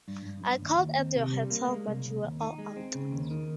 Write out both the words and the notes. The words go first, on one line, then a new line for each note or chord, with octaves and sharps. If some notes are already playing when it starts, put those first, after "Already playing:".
I called at your hotel, but you were all out.
G2
G2
G2
D#2
D#2
C4
C3
G3
A#3
G#3
C2
C2
D#2
D#4
G#3
C4
C#3
D#2
D#3